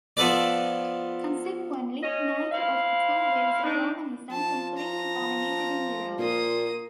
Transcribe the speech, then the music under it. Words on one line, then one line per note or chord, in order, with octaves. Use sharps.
Consequently, neither of the two waves of Romanism completely dominated in Europe.
F3 B3 A4 B4 D5
C#4 D#5
E4 C5 F5
D4 D#4
F3 A5
A#5
A#2 A#3 F4 D#6